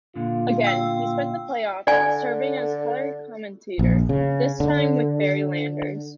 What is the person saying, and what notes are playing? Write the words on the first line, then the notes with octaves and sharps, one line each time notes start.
Again, he spent the playoffs serving as color commentator, this time with Barry Landers.
A#2 D3 F4
G5 E6
D3 D5 G#5
A#1
C#3
D3